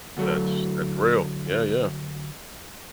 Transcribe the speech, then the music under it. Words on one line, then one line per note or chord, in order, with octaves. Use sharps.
That's that's real. Yeah, yeah.
D2 F#3 A3